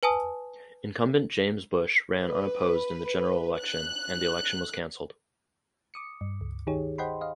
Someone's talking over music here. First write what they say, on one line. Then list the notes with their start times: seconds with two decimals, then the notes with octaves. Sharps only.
Incumbent James Bush ran unopposed in the general election and the election was canceled.
0.03 B4 G#5 A5 D#6
2.22 B4
3.58 F#6
5.94 D6 D#6 C#7
6.21 G2
6.41 C#2
6.67 D#3 D#4 G4 G#4 C#5
6.98 C5 D#5 F#5 G5 B5 C6
7.21 D#5 F5